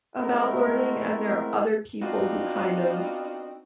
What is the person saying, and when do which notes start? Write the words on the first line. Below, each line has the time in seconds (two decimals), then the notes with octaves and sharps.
about learning, and there are other people who kind of
0.18 G#3 A3 B3 C4 E4 A#4
2.02 B3 C4 D4 D#4 F4 F#4